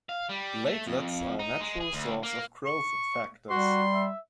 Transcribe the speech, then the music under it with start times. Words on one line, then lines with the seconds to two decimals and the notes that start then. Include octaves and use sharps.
Platelets are a natural source of growth factors.
0.09 F5
0.29 G3
0.65 A3
0.86 F2
1.39 D#4
1.60 G#3
1.81 G#4
1.93 D2
2.23 A#3
2.65 C#6
3.50 G3 F#4 C6
3.94 E5